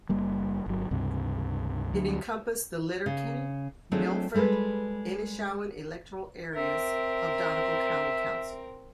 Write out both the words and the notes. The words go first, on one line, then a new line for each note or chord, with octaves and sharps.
It encompassed the Letterkenny, Milford and Inishowen electoral areas of Donegal County Council.
F#1 G3 A#3
G1 F#3
C#2 G2 C3
D2 F#3
C#3
F#3 A3 C4 D4 F4 G#4
G3 G#3 A4 B4
C4 A#4 E5